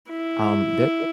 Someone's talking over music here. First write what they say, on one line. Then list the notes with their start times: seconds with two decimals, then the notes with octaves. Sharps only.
Um, that
0.10 E4